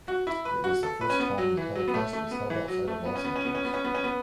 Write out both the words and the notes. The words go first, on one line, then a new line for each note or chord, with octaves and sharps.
It was the first time the telecast was held outside of Los Angeles.
F#4
E4
B4
F#4
A4
B4
C#4
B3
F#3
E3
F#3
B3
A3
A3
B3
E3
F#3
A3
B3
C#4
B3
C#4
B3
C#4
B3
C#4
B3
C#4
B3